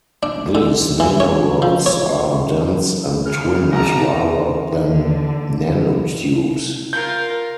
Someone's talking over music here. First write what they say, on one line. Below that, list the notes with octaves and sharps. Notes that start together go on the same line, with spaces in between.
These nanorods are dense and twinned rather than nanotubes.
D4
D3
E3
C#5
F3
C#5
C#3 F6
G#1 D#4 F#4 A5 A#5
D3
F4 A#4 G6